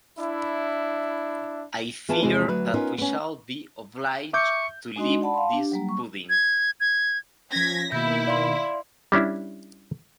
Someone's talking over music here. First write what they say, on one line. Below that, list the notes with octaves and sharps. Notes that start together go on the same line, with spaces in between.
I fear that we shall be obliged to leave this pudding.
D4 E4
E3 B3 F4 G#4 B4 A5
E2 C3 F3 G#3 C4 E4
D2 F#3 B4
B3 C#4 D#4 F4 A#4
B3 C#4
E5 C#6 D6 G6
G#3 D4 D#4 F#4 D#5 C6
D5 F#5 A5 B5
F5 A5 C6
D4 G4
F#3 G3 A#3
C#6
G#6
G#6
F3 C#4 G#6 A#6 B6
B2 D#3 A#3 E4 G6
D5 F5 C6
G3 C#4 D4 E4